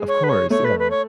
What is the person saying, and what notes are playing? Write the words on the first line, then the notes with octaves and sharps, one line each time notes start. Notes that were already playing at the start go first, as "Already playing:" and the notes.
Of course, yeah.
Already playing: G#3
C#5
B4
C#5
A3 C#5
B4
B4
C#5